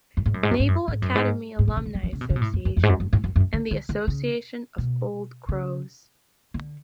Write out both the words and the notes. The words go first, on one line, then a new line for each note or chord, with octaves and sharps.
Naval Academy Alumni Association and the Association of Old Crows.
F#2
G#2
F#2
G#2
F#2
G#2
F#2
G#2
F#2
G#2
G#2
B2
C#3
D3
F#3
F3
C#3
B2
C#3
B2
A2
F#2
F#2
F2
G#2
F#2
F#2
G#2
F#2
F#2
D3
D3
D3
C#3
B2
C#3
D3